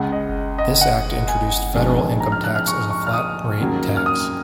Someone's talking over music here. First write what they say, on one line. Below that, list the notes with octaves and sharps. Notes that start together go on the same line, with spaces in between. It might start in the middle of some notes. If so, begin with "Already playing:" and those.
This Act introduced Federal income tax as a flat rate tax.
Already playing: C#2 C#3 G#3 F#5
D#5
D#5
F#5
G#5
A#1 G#2 F3
A#5
F6
F#6
F6
C#6
C#6
F6
D#6
D#2 C#3 F#3 A#3
F6
D#6